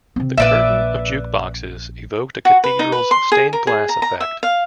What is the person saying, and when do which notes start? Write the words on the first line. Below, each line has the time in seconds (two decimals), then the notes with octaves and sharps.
The curtain of juke boxes evoked a cathedral's stained glass effect.
0.16 C3 C4
0.37 A#1 B4 D5 E5
2.45 F#4
2.64 B4
2.79 D#4
2.92 B4
3.11 C6
3.32 G#4
3.53 A#4
3.67 G#4
3.89 A#5
4.02 A#5
4.20 E5
4.43 F5